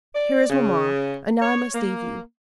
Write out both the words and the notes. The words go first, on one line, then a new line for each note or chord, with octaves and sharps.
Here is mamma, and now I must leave you.
D5
C#3
C#5
A#3